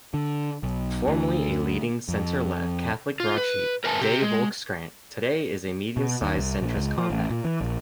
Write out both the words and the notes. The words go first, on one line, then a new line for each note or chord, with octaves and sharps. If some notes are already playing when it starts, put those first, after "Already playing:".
Formerly a leading centre-left Catholic broadsheet, "de Volkskrant" today is a medium-sized centrist compact.
D3
B1
D2
F2
F4
B4
A#4 B4 E5 G#5 A5
C3 G4
G#3
B2
D#2
C2
A#1
C#2
F3
A1
A#2
E3
A#1